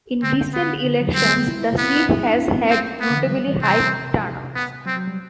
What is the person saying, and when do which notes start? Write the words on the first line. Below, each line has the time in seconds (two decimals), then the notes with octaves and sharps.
In recent elections, the seat has had notably high turnouts.
0.23 D3 C4
0.54 B3
0.84 D3
1.01 F#3
1.15 G3 C4
1.22 B3
1.26 A3
1.36 B3
1.47 E4
1.60 E4
1.78 B3 C4
1.95 D4
2.08 E4
2.24 D4
2.39 C4
2.54 B3
2.70 C4
3.00 B3
3.10 D3
3.17 E3
3.24 F#3
3.32 G3
3.47 E3
3.62 C3 C4
4.55 B3
4.86 F#3 C4
4.97 F#3
5.07 G3